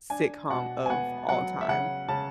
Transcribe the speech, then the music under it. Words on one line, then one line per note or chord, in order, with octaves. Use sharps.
sitcom of all time.
D4 G#5
B2 F#5
G#5
B3 F#5
F#3 F#5
E5
C#3 F#5
C#3 A5